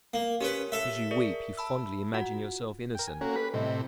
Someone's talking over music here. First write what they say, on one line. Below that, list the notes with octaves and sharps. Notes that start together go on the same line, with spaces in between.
Because you weep, you fondly imagine yourself innocent?
A#3
C#4 G4 A#4 B4 C#5
A4 E5
G#4 A#4 D5
A5 B5 E6
F4 F#4 F#5
A#4 G5
G#5
A#3 C#4 F#4 A4
G4 B4
A2 C3 G3 E4 D#5